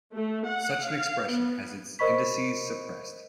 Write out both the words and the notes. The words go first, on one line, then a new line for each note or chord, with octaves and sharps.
Such an expression has its indices suppressed.
A3
F#5
F5
B3
A#4 C5 D#5 B5 C#6 B6